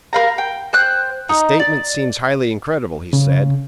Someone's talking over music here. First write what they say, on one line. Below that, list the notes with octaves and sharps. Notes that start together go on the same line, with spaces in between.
"The statement seems highly incredible," he said.
A#4 B4 F5 A#5
G5
C5 G5 F#6
D#4
D5
C#3